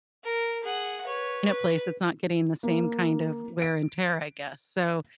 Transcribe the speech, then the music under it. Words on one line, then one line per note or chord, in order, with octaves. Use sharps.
place that's not getting the same kind of wear and tear, I guess, so
A#4
G#4 F#5
B4 C#5
B4
A#3
D7